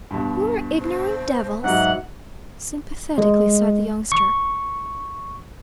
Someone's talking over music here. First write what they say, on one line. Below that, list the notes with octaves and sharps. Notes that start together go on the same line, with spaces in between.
"Poor, ignorant devils!" sympathetically sighed the youngster.
G2 B2
C5
G#2 F#3 E5 F#5
G#3
C#6